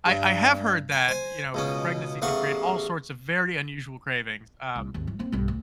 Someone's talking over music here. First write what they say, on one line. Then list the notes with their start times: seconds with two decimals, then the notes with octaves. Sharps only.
I I have heard that, you know, pregnancy can create all sorts of very unusual cravings, um,
0.06 G2
0.92 G#5
1.08 C5 G#5
1.54 C#2 B2 C#4
2.22 A1 E2 F5 F#5 C#6
4.76 C2
4.94 G#1 D#2
5.07 E3 F#3
5.19 A#3 C4
5.32 B1 G2
5.48 D2